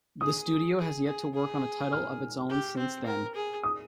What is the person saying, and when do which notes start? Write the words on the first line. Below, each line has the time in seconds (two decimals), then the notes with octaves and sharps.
The studio has yet to work on a title of its own since then.
0.21 G#4 D#6
0.78 G#4
1.07 G#4
1.35 G#4
1.93 F6
2.50 G4
2.77 C4
3.06 A#4
3.35 G#4
3.63 D#6